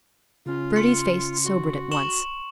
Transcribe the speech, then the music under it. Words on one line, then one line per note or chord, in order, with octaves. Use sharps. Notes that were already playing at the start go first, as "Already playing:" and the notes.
Bertie's face sobered at once.
C#3 C#4 F4
C6 C#7
F#4
C#6 E7 F#7